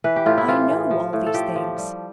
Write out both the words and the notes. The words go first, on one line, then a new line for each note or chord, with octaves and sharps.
I know all these things.
E3 B4
G4
A2 F4
E4
E3 F4
E3
F3
A2
A4
F3 G4
F3
G3